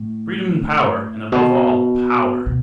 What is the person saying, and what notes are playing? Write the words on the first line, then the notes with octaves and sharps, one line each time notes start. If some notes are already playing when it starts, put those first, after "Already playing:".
Freedom and power, and above all, power!
Already playing: A2
B2
B2